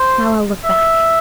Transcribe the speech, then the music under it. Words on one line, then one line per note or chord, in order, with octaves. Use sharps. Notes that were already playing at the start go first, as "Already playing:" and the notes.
Now I'll look back.
Already playing: C5
E5